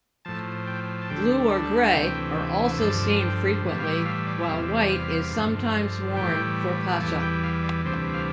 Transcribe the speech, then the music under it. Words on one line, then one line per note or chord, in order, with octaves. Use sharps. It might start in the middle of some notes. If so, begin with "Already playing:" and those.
Blue or grey are also seen frequently, while white is sometimes worn for Pascha.
A2 F3 A5
G5
A5
D2 D3 G3 G5
A5
D2 C3 E3 G5
G2 D3 F3 A5
G5
A2 E3 G3
F5
G5
F5
D5
E5
E2 C3 G3 F5
F5
G2 D3 F3
A2 E3 G3 G5
E2 E3 G3 A5
G5
F5
D5
D2 C3 E3 G3 C5
F5